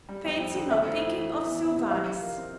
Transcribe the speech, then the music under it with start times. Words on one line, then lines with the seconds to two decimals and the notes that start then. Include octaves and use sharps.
"Fancy not thinking of Sylvanus!"
0.09 G3
0.25 F2
0.39 F2
0.55 D3
0.69 A3 E5
0.85 F2
1.00 E4
1.16 E3
1.31 E3
1.45 E2
1.61 E2
1.76 C3
1.91 G4 F5
2.07 F3
2.22 A#4
2.37 C4